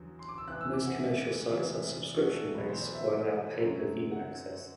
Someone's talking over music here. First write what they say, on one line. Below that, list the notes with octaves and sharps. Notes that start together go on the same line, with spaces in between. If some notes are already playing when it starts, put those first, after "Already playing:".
Most commercial sites are subscription-based, or allow pay-per-view access.
Already playing: E2 D3 F#3
C6
D6
E6
E2 C3 E3 F#6
E6
D6
F#5
E5
E2 C3 E3
D5
F#4
A4
A4
E2 B2 F#3 B4
C5
D5
E5
F#2 D3 F#3
F#5